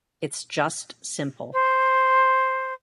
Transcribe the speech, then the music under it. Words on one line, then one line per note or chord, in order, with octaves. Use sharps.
It's just simple.
C5